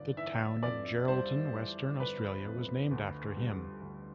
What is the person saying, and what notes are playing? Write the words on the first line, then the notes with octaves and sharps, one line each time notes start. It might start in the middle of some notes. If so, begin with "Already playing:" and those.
The town of Geraldton, Western Australia was named after him.
Already playing: G1 F2 D5
E3 E5
F2 D5
G3 C5
E3
G1 B4
F2
D2
G3
D2